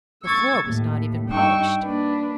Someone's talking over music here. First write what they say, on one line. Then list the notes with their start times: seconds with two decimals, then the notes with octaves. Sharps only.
The floor was not even polished.
0.23 C#6 E6 G#6 A6
0.64 D#2 A2
1.29 G2 D#4 G5 C#6 E6
1.81 A#3 D4 B4